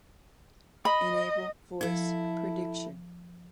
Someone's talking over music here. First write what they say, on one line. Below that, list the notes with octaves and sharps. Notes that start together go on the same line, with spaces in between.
Enable voice prediction.
D#5 B5
F3 E4 A4